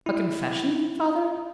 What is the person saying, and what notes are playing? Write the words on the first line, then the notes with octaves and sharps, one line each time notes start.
"A confession, father?"
E4